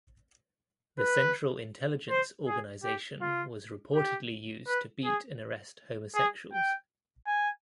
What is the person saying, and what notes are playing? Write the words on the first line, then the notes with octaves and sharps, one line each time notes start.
The Central Intelligence Organisation was reportedly used to beat and arrest homosexuals.
B4
C5
G#4
G4
F4
G4
B4
G#4
G#4
G5
G#5